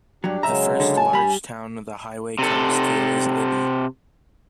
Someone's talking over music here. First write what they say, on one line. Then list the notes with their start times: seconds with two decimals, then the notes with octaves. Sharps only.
The first large town the highway comes to is Libby.
0.24 G2 F#3 D4 G4
0.43 C#3 F#3 G#3 E5 A#5
0.80 D3
0.97 G#5 A5
1.13 G2 G3 B5
2.39 C3 A4